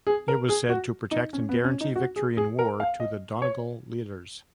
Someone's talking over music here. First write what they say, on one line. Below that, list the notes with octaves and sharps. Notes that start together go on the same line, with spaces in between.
It was said to protect and guarantee victory in war to the Donegal leaders.
G#4
A#4
G#4
F#4
D#4
C#4
B3
C#4
D#4
F#4
G#4
G#4
A#4
F5
D#5
C#5